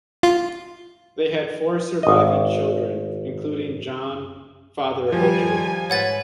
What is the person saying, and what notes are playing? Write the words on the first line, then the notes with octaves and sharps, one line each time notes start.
They had four surviving children, including John, father of Richard.
F4
G#1 D#5
D#3 F3 G3 G4 G#5
G#2 B4 C#5 F#5 A6